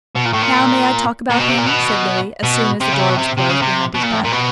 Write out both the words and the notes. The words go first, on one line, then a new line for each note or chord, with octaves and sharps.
"Now may I talk about him?" said Lily, as soon as the door was closed behind his back.
B2
A#2
A2
A#2
A#2
B2
C3
A#2
B2
B2
C3
C#3
C3
B2
C3
C3
C#3
C3
B2
A#2
A2
A#2
B2